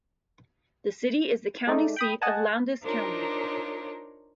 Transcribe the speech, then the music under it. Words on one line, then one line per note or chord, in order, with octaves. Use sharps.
The city is the county seat of Lowndes County.
G#3 A3 D#4 D5
G5 B5 D#6
D#5 F#5 G#5 A5
D4 D#4 F4 A#4 C5 C#5